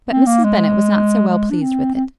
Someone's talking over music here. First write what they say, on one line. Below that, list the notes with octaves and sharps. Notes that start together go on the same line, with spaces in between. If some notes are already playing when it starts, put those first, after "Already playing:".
But Mrs. Bennet was not so well pleased with it.
C4
A#3
G#3
G#3
D4
C4
C4